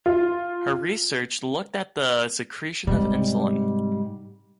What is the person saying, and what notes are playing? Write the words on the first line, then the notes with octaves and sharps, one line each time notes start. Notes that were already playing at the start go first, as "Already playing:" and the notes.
Her research looked at the secretion of insulin.
F4
G#2 C3 G3